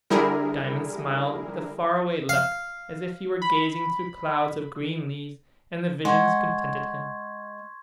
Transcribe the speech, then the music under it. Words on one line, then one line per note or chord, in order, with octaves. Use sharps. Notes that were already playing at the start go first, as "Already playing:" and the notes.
Diamond smiled with a far-away look, as if he were gazing through clouds of green leaves and the vision contented him.
D3 G3 E4 G#4 A#4
F5
B5
G#3 F#5 G#5 C6 C#6 G#6